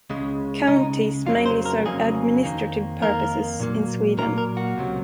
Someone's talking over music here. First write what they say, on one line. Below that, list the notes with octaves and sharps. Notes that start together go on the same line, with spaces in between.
Counties mainly serve administrative purposes in Sweden.
C#2 C#3 G#3
C#2 C#3 G#3 D#4
F2 C#3 F#3 A#3 F4
C5
A#4
F2 C#3 F#3 A#3 G#4
F2 D#3 A#3
F2 D#3 A#3 A#4
A#2 F#3 A#3
A#2 F#3 A#3 A#4
A#4
F#4
C#2 C3 F#3